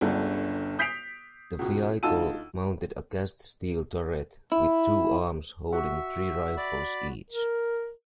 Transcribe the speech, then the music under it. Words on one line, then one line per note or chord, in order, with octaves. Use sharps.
The vehicle mounted a cast steel turret with two arms holding three rifles each.
G1 C#2 G2 D3
D#6 G6 B6 C7 D7 F7
C#2 B2
D2 D#4 F4 A5 E6 D#7
E4
F#4 E5
D5 B5
A#4